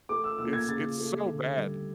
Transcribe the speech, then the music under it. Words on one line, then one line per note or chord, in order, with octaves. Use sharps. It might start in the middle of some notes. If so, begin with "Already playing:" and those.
It's it's so bad.
A3 D6
E6
A#2 E6
G#6
C#3 A6
A3
D3
G3